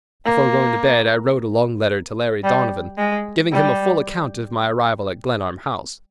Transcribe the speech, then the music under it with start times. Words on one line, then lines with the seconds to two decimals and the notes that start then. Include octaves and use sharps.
Before going to bed I wrote a long letter to Larry Donovan, giving him a full account of my arrival at Glenarm House.
0.25 A#3
2.44 G3
2.98 G#3
3.52 G3